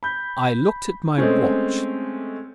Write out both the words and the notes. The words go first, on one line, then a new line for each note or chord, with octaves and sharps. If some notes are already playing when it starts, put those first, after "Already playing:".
I looked at my watch.
B5 G6
G#3 A3 C4 C#4